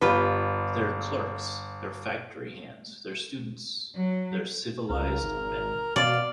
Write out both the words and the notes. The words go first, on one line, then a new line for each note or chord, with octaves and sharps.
They're clerks, they're factory hands, they're students, they're civilised men.
G1 F4 G4 B4
F#3
C#2 A#4
G#1
B2 D5 F5